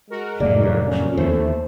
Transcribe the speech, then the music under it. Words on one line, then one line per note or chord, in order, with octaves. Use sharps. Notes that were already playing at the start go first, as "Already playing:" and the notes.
he actually
G#3 F#4 A#4
F1 A2 F#3 A#3 D5
C#4
D#2 A3 C5